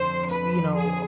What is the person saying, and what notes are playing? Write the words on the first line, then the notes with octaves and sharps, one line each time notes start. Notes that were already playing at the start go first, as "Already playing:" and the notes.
you know,
Already playing: F2 D3 F3 C5
B4
G#4